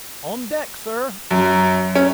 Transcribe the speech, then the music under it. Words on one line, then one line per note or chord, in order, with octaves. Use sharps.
"On deck, sir."
F#2
C#4